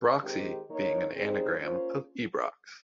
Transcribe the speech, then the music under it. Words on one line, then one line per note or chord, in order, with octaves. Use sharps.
Broxi being an anagram of Ibrox.
D#3 G#3 C4 G4
A#3 D#4 A#4 C#5
C#3 G3 C4 D#4 G#4
A#3 C#4 F4 C5